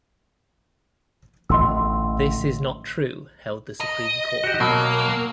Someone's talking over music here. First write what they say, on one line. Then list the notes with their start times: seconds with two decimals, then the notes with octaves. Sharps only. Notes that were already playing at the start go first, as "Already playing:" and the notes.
This is not true, held the Supreme Court.
1.50 A1 D3 D#5 C6 E6
3.81 D#5
4.44 F#4 G4
4.60 B2 F#3 A#3